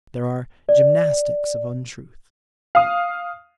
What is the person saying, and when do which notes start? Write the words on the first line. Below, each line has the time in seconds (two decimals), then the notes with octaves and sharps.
There are gymnastics of untruth.
0.69 D5
2.75 F5 D#6